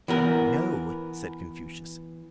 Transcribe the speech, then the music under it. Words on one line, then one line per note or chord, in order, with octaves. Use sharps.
"No," said Confucius.
E3 B3 A#4